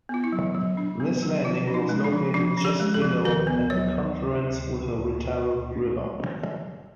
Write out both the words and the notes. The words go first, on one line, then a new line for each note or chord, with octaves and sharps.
This landing was located just below at the confluence with the Retaruke River.
B3 F4
E4
F#3
F#3
D4
B3
F#3
F3 F4
C#4
D#4
G#3
D4
F3
F3 D4
C#4
G4
G#3
A4
F3
D#3 A#4
B3
F#3 C#5